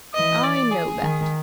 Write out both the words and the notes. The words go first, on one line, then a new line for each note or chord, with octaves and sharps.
I know that.
E3 D#5
D5
G#4
D#3